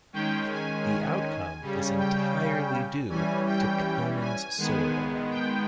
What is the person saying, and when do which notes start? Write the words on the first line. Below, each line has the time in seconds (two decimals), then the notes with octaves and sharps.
The outcome is entirely due to Conan's sword-arm.
0.13 D#3 G#3 C#4 G5
0.50 G#5
1.61 C#3 G3 C#4
1.98 G5
3.09 E3 G3 C#4 G#5
3.46 G5
4.20 G#5
4.57 D#3 G#3 B3
5.30 G5